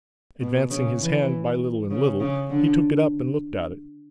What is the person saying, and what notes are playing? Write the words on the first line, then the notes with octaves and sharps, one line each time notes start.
Advancing his hand by little and little, he took it up and looked at it.
B2
C#3
E3
C#3
C#3
D3